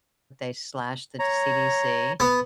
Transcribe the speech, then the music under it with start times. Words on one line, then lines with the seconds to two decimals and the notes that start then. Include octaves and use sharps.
they slashed the CDC,
1.19 C#5 A#5
2.20 B3